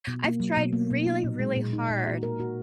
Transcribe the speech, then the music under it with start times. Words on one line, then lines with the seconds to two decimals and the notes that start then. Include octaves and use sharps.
I've tried really, really hard
0.07 B2
0.24 A#3
0.40 F#3
0.56 B2
0.73 A#3
0.90 B2
1.06 D#4
1.24 A#2
1.39 G#3
1.56 A#2
1.73 D#4
1.90 A#2
2.07 F#4
2.23 A#4
2.40 F#4